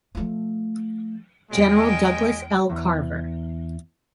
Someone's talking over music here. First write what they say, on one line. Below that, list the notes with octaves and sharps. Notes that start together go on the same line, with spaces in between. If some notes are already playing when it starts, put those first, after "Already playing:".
General Douglas L. Carver.
F3 A3
E2 G#3 G5
E2